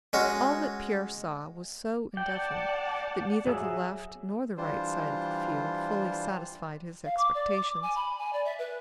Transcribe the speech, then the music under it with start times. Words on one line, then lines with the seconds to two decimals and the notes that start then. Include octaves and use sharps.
All that Pierre saw was so indefinite that neither the left nor the right side of the field fully satisfied his expectations.
0.13 G#3 C#4 F#4
2.17 D5 F#5 G5 A5
3.47 F#3 G#4 E5
4.57 E3 G3 D4 F4 C5
7.05 F5
7.17 D6
7.35 D5
7.56 D6
7.82 G#5
7.96 B5
8.18 G#5
8.33 D5
8.45 E5
8.59 B4